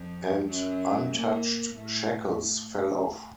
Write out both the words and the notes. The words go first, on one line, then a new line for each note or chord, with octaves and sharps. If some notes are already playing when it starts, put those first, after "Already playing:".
And untouched shackles fell off.
Already playing: F2 F3
F#2 F#3
A#2 A#3
A2 A3